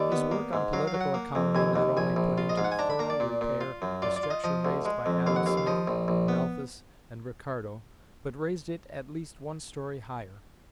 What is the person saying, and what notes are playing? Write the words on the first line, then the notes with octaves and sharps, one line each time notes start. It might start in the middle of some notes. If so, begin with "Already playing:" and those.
His work on political economy not only put into thorough repair the structure raised by Adam Smith, Malthus, and Ricardo, but raised it at least one story higher.
Already playing: D#2 D5
B3
A#3
G#2
F#3 F5
F5
F#3
F#5
A#3
F2
D#2 G#5
D#2
A#1 G#5
A#1
F4
D#5
G#2 F5
F#5
G#5
D4 A#5
B5
A#3 A#5
D5
A#2
A#2
F4
F#2
F4 D5
D5
F4
D#5
F3 D#5
D2
G#3
F2
D#2 F5
F#5
D#2 F5
F5
F3 D#5
A#1
A#1
B3